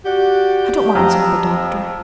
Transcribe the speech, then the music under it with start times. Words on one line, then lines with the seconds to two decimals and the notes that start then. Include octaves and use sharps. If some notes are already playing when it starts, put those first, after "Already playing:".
I don't want to tell the Doctor.
0.05 F#4 G4 D5 F#5
0.95 F2 A#5